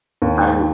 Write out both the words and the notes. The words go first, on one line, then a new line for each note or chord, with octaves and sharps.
I would
D#2
D#3